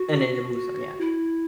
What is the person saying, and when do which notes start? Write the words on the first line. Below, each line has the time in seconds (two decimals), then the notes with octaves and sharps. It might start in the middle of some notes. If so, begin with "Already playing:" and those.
and then it moves on, yeah.
Already playing: F#4
1.01 E4